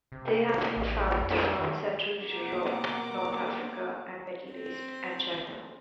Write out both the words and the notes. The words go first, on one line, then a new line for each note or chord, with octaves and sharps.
They have been found throughout central Europe, North Africa, the Middle East and China.
C3
A1
F2
D#3
B2 A#3 C4 F#5 A#5 D6
C4